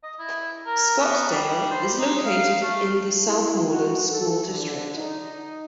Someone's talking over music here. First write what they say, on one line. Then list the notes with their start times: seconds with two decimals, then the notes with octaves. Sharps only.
Scottdale is located in the Southmoreland School District.
0.03 D#5
0.19 E4
0.66 A#4
0.99 B3
1.28 G3
1.71 C5
1.99 D#4
2.25 F5
2.62 A3
3.27 E4
3.69 F#4
4.11 A4
4.50 D3
4.97 D#4